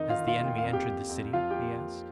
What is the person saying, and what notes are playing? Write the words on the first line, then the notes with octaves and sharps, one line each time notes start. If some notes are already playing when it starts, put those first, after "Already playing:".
"Has the enemy entered the city?" he asked.
Already playing: F2 D#3 D#4 D#5
F4 F5
D#3
F4 F5
A#3
G5
F2 F5
G4 G5
F2
F2
F3 F4 F5
G4 G5
A#3